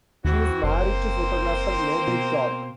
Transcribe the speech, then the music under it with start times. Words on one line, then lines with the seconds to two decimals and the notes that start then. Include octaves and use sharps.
She is married to photographer Nobby Clark.
0.25 D#2 E3 C4 F#4
0.63 F#1 A#3 C4 C5
2.08 B2